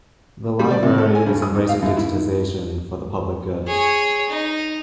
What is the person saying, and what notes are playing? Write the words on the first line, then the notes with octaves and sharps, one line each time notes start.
The library is embracing digitization for the public good.
G3
D5
C3
A4
G#5
G2
D#6
D#4
F5
F#2
E4
D#3
G#4 C#5
D#4